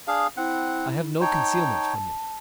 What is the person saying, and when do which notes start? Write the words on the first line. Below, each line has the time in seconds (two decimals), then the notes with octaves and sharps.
I have no concealments from you.
0.07 D4 G#4 F5 D#6
0.37 C4 E4 F#5
1.21 D#4 C#5 G5 A5